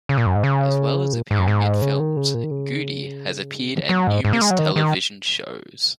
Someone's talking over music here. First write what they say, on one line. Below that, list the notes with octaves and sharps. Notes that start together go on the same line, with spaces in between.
As well as appearing in films, Goode has appeared in numerous television shows.
C#3
A#2
F#2
G#2
C#3
A#2
G#2
F#2
G#2
C#3
D#3
C#3
A#2
D#3
C#3
F#3
G#2
G#2
A#3
G#3
F#3
D#3
D#3